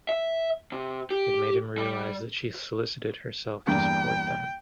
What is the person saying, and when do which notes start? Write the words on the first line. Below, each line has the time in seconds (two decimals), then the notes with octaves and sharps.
It made him realize that she solicited herself to support them.
0.09 E5
0.72 C3
1.10 G4
1.78 G3
3.67 E2 G2 A#3 G5